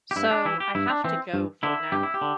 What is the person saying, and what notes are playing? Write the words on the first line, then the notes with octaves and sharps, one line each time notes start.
So, I have to go for now.
G4
G2 E4
D4
E3 E4
G4
G2 E4
D4
E3 C4
G2
D3 E4
G2 G4
E4
G4
D3